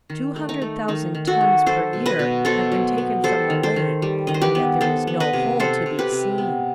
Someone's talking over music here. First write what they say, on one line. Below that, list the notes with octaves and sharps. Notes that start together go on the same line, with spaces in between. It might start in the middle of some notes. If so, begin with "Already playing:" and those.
Two hundred thousand tons per year have been taken from the lake and yet there is no hole to be seen.
D#3
A3
D#4
A3
D#3 D#4
D#3
F#4 A4
D#3
F#3 A4 C5
B2
B4 D#5
B2
B2 A4 C5
F#3
B3
G3 A4 C5
D#3
A4 C5
D#3
G3
D#3 D#5
C5
G4 B4
B3
B3 A4 C5
B3
B4 D#5
C3
C3 A4 C5
C3
G4 B4
C3
B3